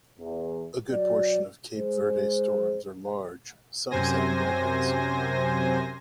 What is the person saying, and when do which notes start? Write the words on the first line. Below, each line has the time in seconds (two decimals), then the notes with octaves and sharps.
A good portion of Cape Verde storms are large, some setting records.
0.20 E2
0.92 F#3 D5
1.75 G#3 C5
3.90 F#2 C3 C5 G#5 A#6